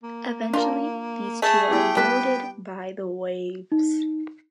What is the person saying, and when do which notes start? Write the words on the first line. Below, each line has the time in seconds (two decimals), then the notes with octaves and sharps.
Eventually these too are eroded by the waves.
0.03 A#3
0.53 D4 F4 A#4
1.42 A3 G#4 A5
1.71 B3 E4 G4 G5
1.97 G3 B3 G4 B4 A5
3.72 D#4